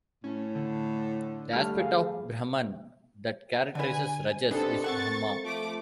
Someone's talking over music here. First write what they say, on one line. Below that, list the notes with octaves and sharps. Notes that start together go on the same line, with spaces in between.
The aspect of Brahman that characterizes "Rajas" is Brahma.
A2 C#4
D3
G3 A3 F6
G#4 F5
D3 B4 G#5
C3 B3 D4 D#4 A4
C4 A4 A#4 F#5 C#6 A6
F3 A3 D6